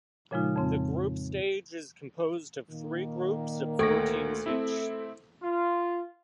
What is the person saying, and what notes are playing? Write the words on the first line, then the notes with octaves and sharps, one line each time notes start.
The group stage is composed of three groups of four teams each.
A#2 C#3 F3 G#3 D#4 F4
F2 C#3 C4
A#2 D#3 A#3
D2 A4 C#6 A#6
A3 C4 E4
F4